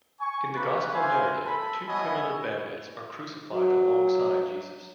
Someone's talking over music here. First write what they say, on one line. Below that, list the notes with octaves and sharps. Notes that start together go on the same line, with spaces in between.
In the Gospel narrative, two criminal bandits are crucified alongside Jesus.
G#5 C#6
A#3 C#4 G4 B4
E4 C5 E5 F5 G#5
A4 B5
B3 E4 C#5 D#5 E5 G#5
F#3